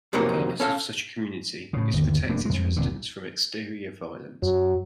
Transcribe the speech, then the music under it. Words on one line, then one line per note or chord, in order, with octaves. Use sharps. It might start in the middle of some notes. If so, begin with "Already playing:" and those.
The purpose of such a community is to protect its residents from exterior violence.
F2 C3 F#3 A#3 D#4
C#4 A4 F5
A2 C#3
G1 D#2
F1 G2 A#3 D4
F2 G#3
D#1 C2 D3
F#2 F#3